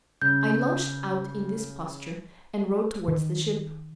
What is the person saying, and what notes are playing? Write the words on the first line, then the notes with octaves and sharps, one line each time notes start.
I launched out in this posture, and rowed towards the ship.
C#3 G6
D#3